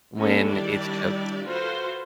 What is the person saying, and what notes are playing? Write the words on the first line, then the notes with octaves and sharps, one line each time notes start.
when it's just
A#3 C#4 D#4 F#4 A4
D#3 G3 D4 E4 G4 D5
F4 F#4 A4 B4 C5